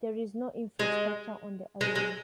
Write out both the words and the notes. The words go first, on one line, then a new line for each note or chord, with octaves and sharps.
There is no infrastructure on the island.
G#3
G#3
G#3